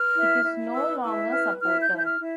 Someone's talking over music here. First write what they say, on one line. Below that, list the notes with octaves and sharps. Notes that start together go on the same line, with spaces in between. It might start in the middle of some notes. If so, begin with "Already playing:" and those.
It is no longer supported.
Already playing: B4 F6
E4
E4
B4 E6
E4 E6
B4 F6
E4 F6
G6
E4
G6
F6
E4